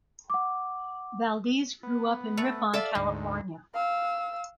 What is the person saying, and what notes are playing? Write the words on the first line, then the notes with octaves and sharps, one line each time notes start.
Valdez grew up in Ripon California.
F#5 D6
B3
A3
A4 D5 E5 F5
D2 G#2 G#3
F5 E6